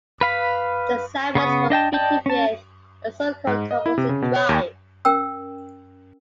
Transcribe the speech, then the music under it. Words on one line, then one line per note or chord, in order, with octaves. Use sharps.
The "Salmon"s were fitted with a so-called "composite drive".
B4 F5 B5
C#3 B3 C#6 D#6
D4 D#5 G5 A5
D5 D#5 G5 A5 G6
C#4 A5
G#2
D#5
E4
C3
C#3
B2
C#5
D#2
C#4 A#4 G5 E6